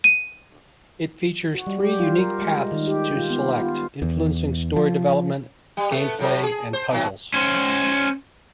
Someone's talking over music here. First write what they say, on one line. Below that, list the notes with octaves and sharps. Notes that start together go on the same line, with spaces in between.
It features three unique paths to select, influencing story development, gameplay and puzzles.
D#7
F#4
G3
G4
F4
A#4
G#3
D#3
G4
F4
B3
F4
E2
F3
G3
A3 B3
A2 F#3 A3
G#4
C5
A#2 D#3 F#3
C#4 C5